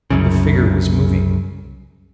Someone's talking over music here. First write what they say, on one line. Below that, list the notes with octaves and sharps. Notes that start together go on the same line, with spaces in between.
The figure was moving.
C2 F#2 C#3